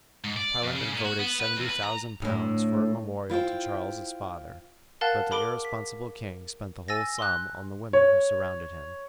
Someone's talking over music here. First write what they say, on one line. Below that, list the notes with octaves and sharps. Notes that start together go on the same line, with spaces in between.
Parliament voted seventy thousand pounds for a memorial to Charles's father, but the irresponsible king spent the whole sum on the women who surrounded him.
G#2
D5
F2
C#3
A#2
F#4
B3
B4
E2
B4
A#5
D2 A2
E4 F4 C5 G5
A#4 F5 F#5 A5 F#6 A6
G#4 A#4 B5 D6 D7 G7
B6
G#5 E6 A6 A#6
C6 F#6
C#5